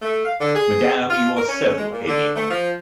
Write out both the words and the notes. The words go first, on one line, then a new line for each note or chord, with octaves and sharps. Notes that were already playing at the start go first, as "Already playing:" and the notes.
Madame, you are so amiable!
A3
F5
D3
G#4
F4
A#4
C#4
G#3
A#2
D3
A3
F3